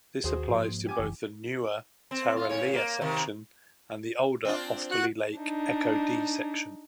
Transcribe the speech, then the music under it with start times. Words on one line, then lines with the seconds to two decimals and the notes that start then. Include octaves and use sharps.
This applies to both the newer Tarraleah section and the older Osterley-Lake Echo-Dee section.
0.24 D#2 F#4 G#4 C5
0.48 G#2 F3 A#3
0.86 G4 G#5 D6
0.99 F#1 E3
2.11 C4
2.36 F4
2.49 A2 C#5
2.73 A#3
3.01 C3 D#3
4.45 C4 D4 F4
4.91 F#4 F#5 F#6
5.38 D4 D#4